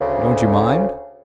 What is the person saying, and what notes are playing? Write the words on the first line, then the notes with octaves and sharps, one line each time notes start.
"Don't you mind?"
D2 C#3